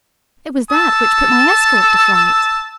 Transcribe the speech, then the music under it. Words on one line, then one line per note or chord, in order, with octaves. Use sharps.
"It was that which put my escort to flight."
A5 E6